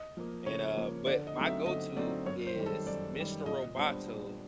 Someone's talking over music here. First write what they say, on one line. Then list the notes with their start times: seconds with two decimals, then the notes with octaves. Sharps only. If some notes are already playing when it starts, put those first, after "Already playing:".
And, uh, but my go-to is “Mister Roboto”
Already playing: D#5
0.17 F3 A#3
0.46 C#3 C#5
0.76 F3 A#3
1.06 D3 D5
1.27 D#5
1.36 F#3 A3 C4 D#4
1.46 E5
1.66 D3 D#5
1.96 F#3 A3 C4 D#4 D5
2.26 F#2 C#5
2.47 C5
2.56 D#3 G3
2.66 A4
2.86 F#2 D5
3.16 D#3 G3
3.46 A#2 D#5
3.76 G3 B3 D4 C5
4.07 A#2